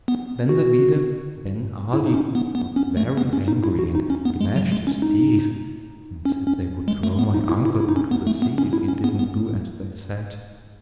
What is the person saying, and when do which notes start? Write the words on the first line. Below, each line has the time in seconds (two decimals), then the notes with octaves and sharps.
Then the leader, Ben Ali, got very angry and gnashed his teeth, and said they would throw my uncle into the sea if he didn't do as they said.
0.08 B3
0.49 F#4
1.93 E4
2.07 D#4
2.14 C#4
2.35 B3
2.55 B3
2.76 C#4
2.97 A3
3.17 B3
3.33 C#4
3.48 D#4
3.64 E4
3.79 F#4
3.95 D#4
4.10 C#4
4.25 B3
4.41 G#3
4.56 F#3
4.72 G#3
4.87 C#4
5.02 D#4
6.25 C#4
6.47 C#4
6.88 G#3
7.03 A3
7.19 B3
7.34 D#4
7.49 E4
7.65 E4
7.80 E4
7.89 D#4
7.96 C#4
8.11 B3
8.27 A3
8.42 B3
8.58 C#4
8.73 E4
8.88 C#4
9.04 B3
9.19 B3